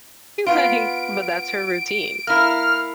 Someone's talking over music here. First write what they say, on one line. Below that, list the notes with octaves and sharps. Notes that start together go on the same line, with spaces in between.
Like" but that's her routine.
B3 F4 D7
A#3 E4 F6